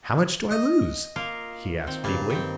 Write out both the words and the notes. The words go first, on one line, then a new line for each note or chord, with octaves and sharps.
'How much do I lose?' he asked feebly.
D#5
A#3 F4 A#4
D#3 C4
G2 C#3 A#3
D#3 C4